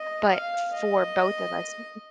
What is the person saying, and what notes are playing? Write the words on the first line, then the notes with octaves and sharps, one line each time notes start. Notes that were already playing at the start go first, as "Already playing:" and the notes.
but for both of us, m
Already playing: D#5
F5
D#5